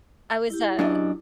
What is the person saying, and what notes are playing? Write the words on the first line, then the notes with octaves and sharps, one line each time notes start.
I was, uh
E4 G4
F#2 D4 D#5